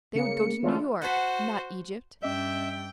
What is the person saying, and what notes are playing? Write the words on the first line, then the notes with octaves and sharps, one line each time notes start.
They would go to New York, not Egypt.
C#3 A#3 C#7
D3 E3 G#3 A3 C#4 F4
F#4 C5 F#5 A5 B5
G2 C#4 D#5 E5 G5